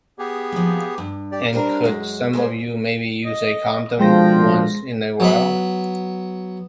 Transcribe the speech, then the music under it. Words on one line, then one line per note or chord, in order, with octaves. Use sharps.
And could some of you maybe use a condom once in a while?
B3 G4 G#4
F3 A#3
G2
G4 D5
G3 C4 D4 E4 A#4
F#2 G#3
G#3 A3 G#4 C5
D#5
B2 D3 F3 G#3 G5 C6 A#6
F#3 B3 B5